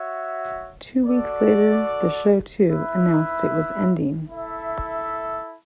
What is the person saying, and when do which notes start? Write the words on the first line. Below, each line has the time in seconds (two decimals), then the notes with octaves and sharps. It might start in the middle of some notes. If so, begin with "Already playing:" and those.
Two weeks later, the show, too, announced it was ending.
Already playing: F#4 C#5 E5
1.05 F#4 A4 D5
2.66 E4 B4 E5
4.27 E4 A4 E5